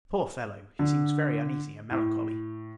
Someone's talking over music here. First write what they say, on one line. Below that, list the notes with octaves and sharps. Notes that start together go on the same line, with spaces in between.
Poor fellow! he seems very uneasy and melancholy.
D3
A2